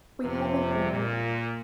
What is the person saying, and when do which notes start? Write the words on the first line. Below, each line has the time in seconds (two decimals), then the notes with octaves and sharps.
We haven’t any.
0.24 F2 C3
0.91 A#2